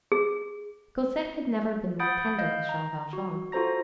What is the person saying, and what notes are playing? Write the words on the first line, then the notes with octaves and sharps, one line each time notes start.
Cosette had never been more tender with Jean Valjean.
G#4
F#5 B5 D#6 G6 A6 D7
D#5 F5 G6
A#5
F#4
F4 F#4 A4 C5 A#5 A#6